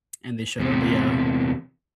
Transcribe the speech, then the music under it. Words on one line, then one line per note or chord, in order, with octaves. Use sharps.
And they should've, but yeah.
E2 C3